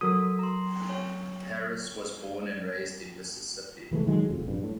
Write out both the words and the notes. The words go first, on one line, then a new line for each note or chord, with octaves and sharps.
Harris was born and raised in Mississippi.
F#3 F#4 A4 A#4 D#6
A#5 C6
C#5
C3 E3 G#3 A3
D#3 F#3 G#3
F1 F2
A#1 G2
A2